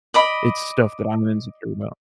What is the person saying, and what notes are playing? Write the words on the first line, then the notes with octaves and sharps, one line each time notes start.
It's stuff that I'm insecure about.
D5 D#5 B5